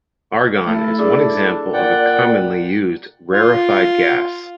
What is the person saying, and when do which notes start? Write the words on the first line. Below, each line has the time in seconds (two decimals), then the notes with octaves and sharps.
Argon is one example of a commonly used rarefied gas.
0.66 A3 E4 A4
0.99 D4 G#4
1.73 A#2 D5 F#5 G5
3.31 F4